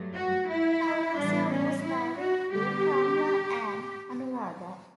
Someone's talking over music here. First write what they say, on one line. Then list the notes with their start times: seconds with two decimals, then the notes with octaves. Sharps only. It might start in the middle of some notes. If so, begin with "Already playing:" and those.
Chaurasia was married to Kamla and Anuradha.
Already playing: G2 F#3 A3
0.14 F#4
0.48 E4
1.16 A2 E3 G3 B3 D4
1.50 C#4
1.83 E4
2.18 F#4
2.51 D3 G3 B3 G4